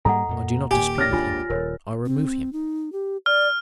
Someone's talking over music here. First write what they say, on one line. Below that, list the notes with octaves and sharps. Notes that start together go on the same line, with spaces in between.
"I do not dispute with him; I remove him."
G#2 G3 A#3 A4 D#5 F#5 A#5
F2 A#2 A#3
D#1 A#2 G4 G#5
C#5 D5 F6 A6 A#6
G#1 D#2 D4 F4 G#5 B5
D#1 A#4 C#5
C4
D#4
G4
D5 F6